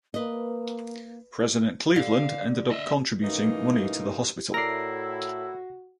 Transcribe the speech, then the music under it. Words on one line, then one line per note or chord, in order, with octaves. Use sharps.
President Cleveland ended up contributing money to the hospital.
A#3 B4 D#5
D3 F5
D#5 E5
F#2 A2 E3 A#3 D#4
A2 E4 F#4 A#4 D5 A#6 C7